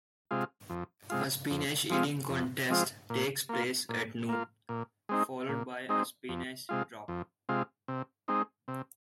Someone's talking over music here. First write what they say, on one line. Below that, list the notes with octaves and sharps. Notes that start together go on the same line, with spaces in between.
A spinach eating contest takes place at noon, followed by a spinach drop.
C3 G#3 F4
F2
C3 G#3 F4
F2
F3 G#3 C4 F4
F2
F3 G#3 C4 F4
A#2
A#3 F4
A#2
A#3 F4
A#2
G#3 C4 D#4
A#2
G#3 C4 D#4
F2
C3 G#3 F4
F2
C3 G#3 F4
C3
G#3 C4 D#4
C3